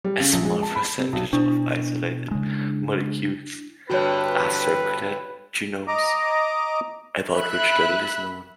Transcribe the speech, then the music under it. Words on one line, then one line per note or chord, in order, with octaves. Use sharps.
A small percentage of isolated molecules are circular genomes, about which little is known.
G3
C#3
A#1
G#3
A5
B5
C3
B1
B2 D4 E4
C#3 G#3
G2 D3 C4 F#4 B4 C#5
D#5 A#5 D6
E5 B5 F#6